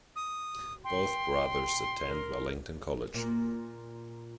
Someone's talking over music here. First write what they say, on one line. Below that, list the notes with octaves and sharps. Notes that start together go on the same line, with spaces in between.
Both brothers attended Wellington College.
D#6
G5 C6
A#4
A#2